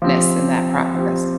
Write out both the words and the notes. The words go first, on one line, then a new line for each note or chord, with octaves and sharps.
ness and that process.
F3 C4 G4
F3 C4 G4